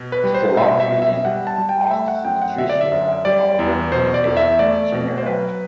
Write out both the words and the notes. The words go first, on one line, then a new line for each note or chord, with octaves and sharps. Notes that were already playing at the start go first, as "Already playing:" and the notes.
"Stylonychia" and "Oxytricha" are representative genera.
Already playing: B2
B4
G3
C5
B2 E5
E5
B2
E5
G3 F#5
A5
G3
G5
A3 E5
F#5
F#2 G5
F#5
D3 E5
D5
E5
F#2
G3 D5
E2
B2 C5
D5
E2
E5
A3 D5
B2
C5
F#3 B4